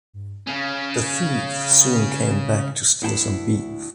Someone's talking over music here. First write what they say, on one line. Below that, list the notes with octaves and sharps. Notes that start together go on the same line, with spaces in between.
The thief soon came back to steal some beef.
C#3 C#4
D2 E4 G5 A5